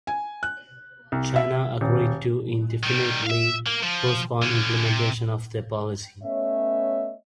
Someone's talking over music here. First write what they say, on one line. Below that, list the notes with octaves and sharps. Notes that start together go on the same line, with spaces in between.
China agreed to indefinitely postpone implementation of the policy.
G#5
F#6
C2
E5
D#1
D#3 G3
E5 F5
A#3
F3
D3 C#4
C3
A3 B3 C#4 C#5 D#5 E5